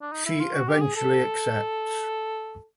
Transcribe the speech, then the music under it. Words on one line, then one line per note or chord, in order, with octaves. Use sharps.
She eventually accepts.
D4
D#4
E4
F4
F#4
G4
G#4
A4